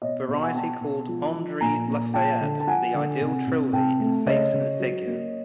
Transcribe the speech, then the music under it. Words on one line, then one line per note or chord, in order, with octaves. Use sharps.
Variety called Andree Lafayette "the ideal Trilby in face and figure".
B2 C#5 D#5
B2
F#5 G#5
B3 G5 A5
B2
F3
F3
A#2 G#5 A#5
A#2
F3 G5 A5
D3
A5
F3 F#5 G#5
D3
C3
C3
C3 G5 A5
A3
C#3 C#5 D#5
C#3
F#3
A#3